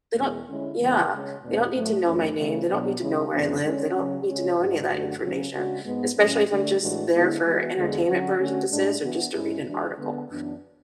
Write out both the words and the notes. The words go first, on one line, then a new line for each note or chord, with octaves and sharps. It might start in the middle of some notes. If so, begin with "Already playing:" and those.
they don't Yeah. They don't need to know my name; they don't need to know where I live; they don't need to know any of that information, especially if I'm just there for entertainment purposes or just to read an article,
E2 B2 G#3
D3 G#3 C#4 E4
E2 C#3 E3 G#3
C#3 G#3 C#4
E2 B2 A3 D4
A2 F#3 A3
F#2 E3 A3 C#4
C#3 E3 A3 E4
B2 F#3 B3 D4 F#4
C#3 G#3 C#4 E4
F#2 C#3 E3 B3 D4
D3 G#3 C#4
C#3 F#3 C#4
C#3 G#3 C#4
G#2 G#3 D4 F#4
F#2 D3 A3 D4 F#4
C#3 F#3 C#4
C#3 G#3 D4 F#4
G#2 G#3 B3
A2 F#3 C#4
D3 A3 D4
A2 E3 G#3 D4 F#4
D3 G#3 B3 E4
E3 G#3 B3 F#4
E2 D3 G#3
D3 F#3 C#4 F#4
D3 A3 C#4 F#4
A2 G#3 D4
E3 B3 D4 F#4
G#2 G#3 C#4 E4
E3 G#3 D4 F#4
D3 G#3 B3
F#2 E3 B3 D4